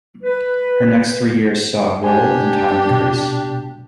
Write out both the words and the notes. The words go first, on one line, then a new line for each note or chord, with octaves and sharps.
Her next three years saw her role and time increase.
B4
D4 G4 G#5
B2